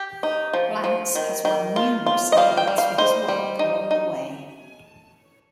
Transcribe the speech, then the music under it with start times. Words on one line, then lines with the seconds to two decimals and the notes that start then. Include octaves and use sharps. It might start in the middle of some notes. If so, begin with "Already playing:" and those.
Lantz has won numerous awards for his work along the way.
Already playing: G4
0.23 D#4
0.53 F3
0.84 F3
1.15 D#3
1.45 D#3
1.76 F4
2.06 F4
2.32 D#5
2.37 G3 F5
2.57 G5
2.67 G3
2.78 F5
2.98 D#4 C5
3.28 G3
3.59 D#4
3.91 D#4